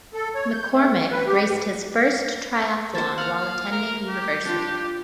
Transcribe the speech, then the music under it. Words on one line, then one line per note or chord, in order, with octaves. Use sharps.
McCormack raced his first triathlon while attending university.
A4
C#5
G6
A3
E3
B4
G4
G#2
A#3 C5 A5
F5 F#5 A#5
A#4
G4
D4 F4